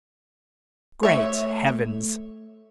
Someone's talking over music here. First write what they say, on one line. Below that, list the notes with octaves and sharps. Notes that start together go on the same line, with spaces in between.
Great heavens!
A3 C#5 E5